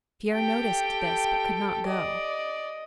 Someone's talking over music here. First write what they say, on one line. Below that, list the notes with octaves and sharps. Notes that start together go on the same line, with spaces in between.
Pierre noticed this but could not go.
G4 A4 G5
D5 D#5